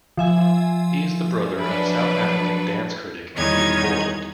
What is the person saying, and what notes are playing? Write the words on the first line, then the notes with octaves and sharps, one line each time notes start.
He is the brother of South African dance critic Eve Borland.
F3 E5 G#5
F#3 D4 B4
E2 D#3 G3 D#4 C#5 G#6